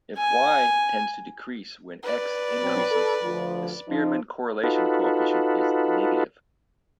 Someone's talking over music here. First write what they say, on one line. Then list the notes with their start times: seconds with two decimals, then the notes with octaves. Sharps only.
If "Y" tends to decrease when "X" increases, the Spearman correlation coefficient is negative.
0.18 G#5
2.03 B4 D5
2.61 B2 F#3 C4
2.91 A4
3.23 D2 F3
3.89 F3 D#4
4.64 D#4 F4 F#4 A4 B4